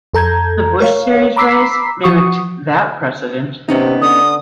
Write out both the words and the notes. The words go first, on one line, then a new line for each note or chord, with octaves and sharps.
The Busch Series race mimicked that precedent.
F2 A4 A#5 G6 G#6
A#4 C#5 F5
A#5 B5 D6 E6 B6 C7
F3 F#4 C#6 D#6
C3 B3 C#4 D#4
D3 D#6